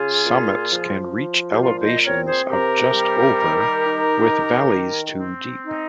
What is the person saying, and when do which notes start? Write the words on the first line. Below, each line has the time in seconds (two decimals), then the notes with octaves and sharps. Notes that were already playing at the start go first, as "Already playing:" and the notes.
Summits can reach elevations of just over with valleys to deep.
Already playing: C#3 F4 G#4
0.25 A#2
0.70 F3
1.14 F3
1.51 G4
1.59 A#2 F4
1.81 C5 D#5
2.04 C4 A#4 C#5
2.26 G#4 C5
2.49 C3 G4 A#4
2.94 G3
3.39 D#3
3.84 D#4
4.28 D#3
4.73 D#3
5.18 C4
5.64 D#4